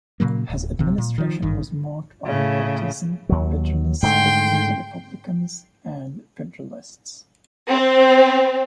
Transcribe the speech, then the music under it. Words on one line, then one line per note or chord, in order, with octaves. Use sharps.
His administration was marked by partisan bitterness between the Republicans and Federalists.
A#2 C#3 F#3 A#3
D1
D1 C3
A#2
D#3 F3
G#1 G2 D#3
A2 C#3
D#2 F#3
G#2 D3 A3 G5 C6
C4